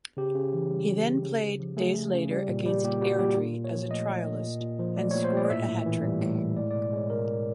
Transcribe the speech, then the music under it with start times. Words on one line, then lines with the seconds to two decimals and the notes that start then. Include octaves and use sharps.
He then played days later against Airdrie as a trialist, and scored a hat-trick.
0.17 C#3 G4
0.35 C#3
0.53 E3
0.71 G3
0.88 C#3
1.07 C#3
1.23 C#3
1.41 C#3
1.60 F3
1.77 A3 G#4
1.96 C#3
2.13 C#3
2.31 G3
2.48 A#2
2.66 G3
2.84 A#2 G4
3.01 G3 F#4
3.19 A#2 G4
3.37 A#2
3.54 A#2
3.64 C#5
3.72 F3
3.90 A3 D#5
4.09 A#2
4.26 A#2
4.44 A#2
4.61 A#2
4.79 F3
4.97 A3 D5
5.11 A#2 C#5
5.24 C5
5.33 A#2 D5
5.50 A2 E5
5.69 A2
5.86 E3
6.04 G3
6.21 A2
6.39 A2
6.57 G#3 D5
6.71 D5
6.75 B2
6.84 D5
6.92 G#3 C#5
7.10 B2 A#4
7.28 G#3